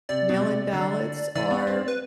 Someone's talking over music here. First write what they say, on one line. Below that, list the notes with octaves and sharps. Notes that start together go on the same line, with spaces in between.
mail-in ballots are
C3 D5
B2
C3
D3
E3 D5
B3
C4
B4